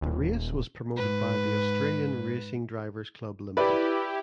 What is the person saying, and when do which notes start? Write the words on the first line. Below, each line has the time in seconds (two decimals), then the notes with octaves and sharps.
The race was promoted by the Australian Racing Drivers Club Ltd.
0.01 D#1
0.96 G#2 B4
3.57 E4 G4 B4 D5 E5